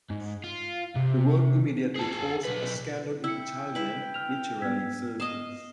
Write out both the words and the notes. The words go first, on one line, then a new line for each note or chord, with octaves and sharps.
The work immediately caused a scandal in Italian literary circles.
G#2
F4
C3
G#4 A5
B1 B4
E4 G5 E6 C#7
E4 B4
F6 F7
G#2 B3 E6 G#6 B6
D#5 F5 D#6 E7